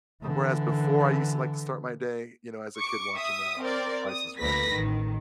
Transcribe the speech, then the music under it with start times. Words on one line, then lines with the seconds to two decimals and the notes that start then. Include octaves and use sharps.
whereas before I used to, like, to start my day, you know, as a kid watching The The Price is Right.
0.22 D3 E3
2.77 C#6 D6 C#7
3.16 E5 D#6
3.61 C4 A#4 D5
4.08 D#6
4.37 D2 A#3 B4 A#6 B6
4.70 A1 D#3